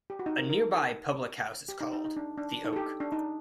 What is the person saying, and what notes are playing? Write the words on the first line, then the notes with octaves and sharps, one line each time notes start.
A nearby public house is called "The Oak".
G4
F#4
D#4
A#4
A#4
A4
G4
D#4
D#4
D#4
D4
D4
D#4
A4
G4
D4
D#4